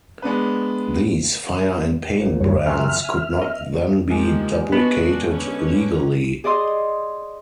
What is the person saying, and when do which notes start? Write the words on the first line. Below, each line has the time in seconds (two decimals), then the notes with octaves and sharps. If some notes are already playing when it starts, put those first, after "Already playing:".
These fire and paint brands could not then be duplicated legally.
0.22 G#3 B3 D4 B4
2.20 A#1
2.40 F#2 G3 C#5
2.66 F#2 C3 F#3 E5 F6
3.05 G#5
3.42 D#5
4.10 F3 G#3 A#3 D#4 G4
4.72 B3 D4 F#4 B4
5.29 D3 C#4 B4
6.44 G#4 D5 D#5 C6 D#6